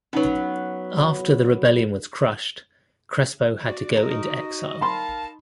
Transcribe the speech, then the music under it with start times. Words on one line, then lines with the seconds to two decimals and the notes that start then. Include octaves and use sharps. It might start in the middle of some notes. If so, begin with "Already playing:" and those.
After the rebellion was crushed, Crespo had to go into exile.
0.13 F#3 B3 C#4 D#4 B4
3.64 F#4 D5
3.97 F#4 A#4 D#5
4.11 D#4
4.81 A#4 F5 A5 B5 C6